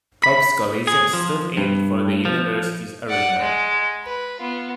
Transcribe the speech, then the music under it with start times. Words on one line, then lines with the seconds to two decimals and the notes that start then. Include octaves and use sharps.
Copps Coliseum stood in for the University's arena.
0.24 B5
0.87 G#4
1.13 F3
1.57 G2
2.25 F3
3.08 D5 F#5
3.38 G#3
4.04 B4
4.40 B3 F4